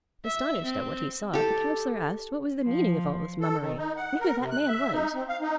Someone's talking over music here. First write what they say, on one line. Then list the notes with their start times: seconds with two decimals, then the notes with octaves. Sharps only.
Astonished at what he saw, the Councillor asked what was the meaning of all this mummery, and who that man was.
0.25 E5
0.65 C4
1.33 G4 A4
2.64 F3
3.41 A4
3.60 D#3
3.78 D#4
3.97 F#5
4.20 A#4
4.39 C3
4.51 F#6
4.68 E5
4.93 D#4
5.14 C4
5.29 F5
5.42 D#4